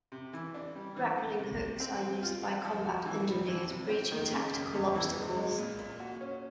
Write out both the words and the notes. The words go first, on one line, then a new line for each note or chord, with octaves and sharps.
Grappling hooks are used by combat engineers breaching tactical obstacles.
C3
E3
D4
G3
E3
A3
C3
C3
C4
C4
F4
F4
F3
F#4
E3
G3
E3
C3
C4
D#3
C#3
F#2
E2
E3
G#3
G#3
A#2
A#2
F#4
C#4